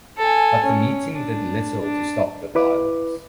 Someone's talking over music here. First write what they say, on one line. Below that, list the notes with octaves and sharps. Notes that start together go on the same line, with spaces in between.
But the meeting did little to stop the violence.
A4 G#5
C#4
D4
D4
E4 B4 D6